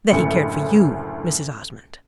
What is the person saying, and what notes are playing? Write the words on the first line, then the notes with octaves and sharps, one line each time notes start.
"That he cared for you, Mrs. Osmond."
F#1 D2 A2 C#7